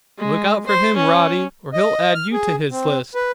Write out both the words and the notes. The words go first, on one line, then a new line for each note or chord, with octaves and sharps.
Look out for him, Roddy, or he'll add you to his list.
G#3
C5
C#4
D#5
F6
G#4
C4
B4